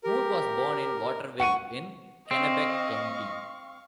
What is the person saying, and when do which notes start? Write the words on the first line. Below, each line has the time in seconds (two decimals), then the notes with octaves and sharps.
Moor was born in Waterville in Kennebec County.
0.04 G4 A#4
1.40 F#5 C#6 C#7 D#7
2.31 C4 D#5 F5 C#6